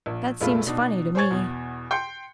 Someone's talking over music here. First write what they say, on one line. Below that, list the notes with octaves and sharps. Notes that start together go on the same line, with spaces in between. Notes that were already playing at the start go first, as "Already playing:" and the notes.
That seems funny to me.
A#1
F1 A#1 G#3 A3 F4 B5
B2 D4 D#4
C5 C#5 G#5 C#6 G#6 A6
E2 B2
G5 C6 G6 C#7